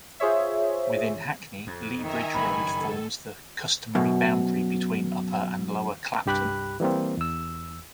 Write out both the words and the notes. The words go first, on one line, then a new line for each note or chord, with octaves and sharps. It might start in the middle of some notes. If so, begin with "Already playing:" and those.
Within Hackney, Lea Bridge Road forms the customary boundary between Upper and Lower Clapton.
F4 G#4 C5 C#5 E5
F2
D#3 E5 G#5 A#5
F#1 G2 G#5 B5
A4
F#2 B2
C2 G2 G4 B5 F#6
E3 G3 A#3 C4
E2 E6